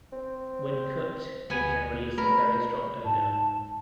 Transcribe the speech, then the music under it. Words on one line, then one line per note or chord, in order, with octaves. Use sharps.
When cooked, it can release a very strong odor.
C4
D2 B3 G#5
A3 A#4 B4 B5
G#2 A5